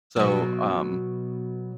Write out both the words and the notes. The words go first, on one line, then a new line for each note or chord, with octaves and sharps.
so, um,
B2 F#3